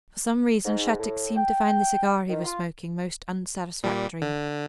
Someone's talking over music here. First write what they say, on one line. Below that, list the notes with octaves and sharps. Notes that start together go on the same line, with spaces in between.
For some reason Shattuck seemed to find the cigar he was smoking most unsatisfactory.
G#2
A2
G5
D#3
F4
A#2 G3
D3